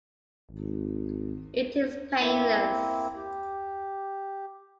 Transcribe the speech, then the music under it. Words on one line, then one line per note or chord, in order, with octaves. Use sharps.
It is painless.
G#1
A#3 C4 E4
G4